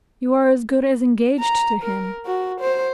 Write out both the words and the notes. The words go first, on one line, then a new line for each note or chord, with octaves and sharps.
You are as good as engaged to him.
A#5
A#4
F#4
C5